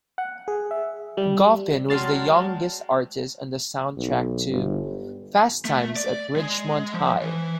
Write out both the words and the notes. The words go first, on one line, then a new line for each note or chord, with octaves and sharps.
Goffin was the youngest artist on the soundtrack to "Fast Times at Ridgemont High".
F#5
G#4
E5
G3
F#3 G#3 D5 G5 A5 C6 F6 A6
B1
G1
A3
D5
G#3
F3
E3